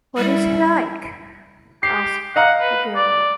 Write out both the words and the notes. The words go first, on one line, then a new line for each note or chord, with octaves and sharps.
What is he like? asked the girl.
G3 E4
G4 C7
D#5 F5 F#5 A#5
B4
D5